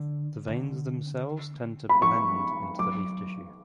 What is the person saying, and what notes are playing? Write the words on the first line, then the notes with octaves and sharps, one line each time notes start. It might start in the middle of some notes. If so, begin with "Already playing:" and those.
The veins themselves tend to blend into the leaf tissue.
Already playing: D3
D3
B5
F3 C#6
F#3 D6